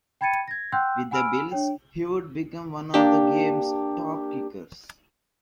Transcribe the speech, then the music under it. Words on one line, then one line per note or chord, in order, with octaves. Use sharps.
With the Bills, he would become one of the game's top kickers.
G5 B5 G#6 A6 C#7 D#7
G#6 A#6
F#5 G5 C6 E6 F#6 G6
F#5 G#5 B5 E6 F6 D7
D4 C#5 G5
A#3 D4 G4